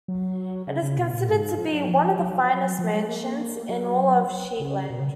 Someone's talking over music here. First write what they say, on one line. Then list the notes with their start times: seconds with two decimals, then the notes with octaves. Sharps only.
It is considered to be one of the finest mansions in all of Shetland.
0.08 F#3
0.67 C#3
0.82 C#3
0.98 B2
1.13 A#2
1.29 G#2
1.58 F3
1.73 F#3
1.88 F3
2.19 F#3
2.79 F3
2.94 G#3
3.08 A#3
3.69 F#3
4.60 C#3
4.90 B2
5.00 C#3